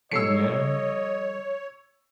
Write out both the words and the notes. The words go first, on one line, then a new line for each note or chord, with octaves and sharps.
Mm, yeah.
F3 G3 A4 C#5 D#5 E6 C7 C#7